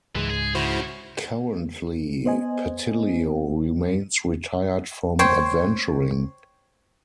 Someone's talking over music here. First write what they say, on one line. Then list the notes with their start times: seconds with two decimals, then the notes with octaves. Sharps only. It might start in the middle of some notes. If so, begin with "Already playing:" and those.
Currently, Patilio remains retired from adventuring.
0.15 C#2 G#2 E3 G#3
0.30 G#4
0.55 C#3 E4 F#4 C5
2.25 B3 C5 D#5 G#5
5.19 C5 C#5 G5 C6